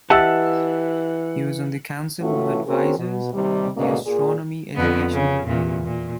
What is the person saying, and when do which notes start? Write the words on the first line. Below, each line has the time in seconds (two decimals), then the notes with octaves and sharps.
He was on the Council of Advisors of the Astronomy Education Review.
0.10 E3 G4 D#5 E5 F#5 A5 E6 A6
2.20 A2 E3 A3 C#4 F4 F#4
2.66 A#3 C4 C#4 F#4 G#4 A#4
2.98 B2
3.33 D#2 C3 D#3 G3
3.76 D2 G#2 B2 D3 A#3 C#4
4.06 A#2 G#4
4.75 F2 D3 B3
5.12 C#3
5.46 E2 A#2
5.85 A#2